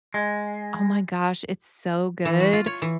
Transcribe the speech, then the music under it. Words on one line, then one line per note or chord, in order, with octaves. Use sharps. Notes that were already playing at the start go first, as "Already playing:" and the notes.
oh, my gosh, it's so good,
G#3
E3
F#4
F4
C#5
E3